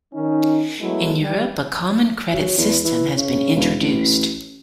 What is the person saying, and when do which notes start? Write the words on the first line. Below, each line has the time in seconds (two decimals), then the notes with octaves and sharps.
In Europe, a common credit system has been introduced.
0.14 D#3 C#4 D#4
0.80 F#3 G#3 A3 B3 E4
1.21 G3
2.33 F#3
2.58 E2
2.84 E3
3.16 C#3
3.55 E1
3.81 A1